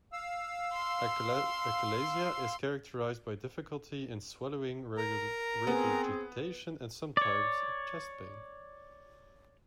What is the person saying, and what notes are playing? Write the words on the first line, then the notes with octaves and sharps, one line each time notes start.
Achalasia is characterized by difficulty in swallowing, regurgitation, and sometimes chest pain.
F5 E6
C6
A#4 A#5
B3 C4 G#4
C#5 D5